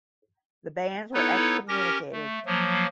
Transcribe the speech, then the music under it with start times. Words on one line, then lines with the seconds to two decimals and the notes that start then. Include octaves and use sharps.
The bands were excommunicated.
1.14 B3 D#4 E4 A4 B4 C#5
1.68 C#4 G4 A#4 A#6
2.12 A3
2.46 F3 F#3 A#3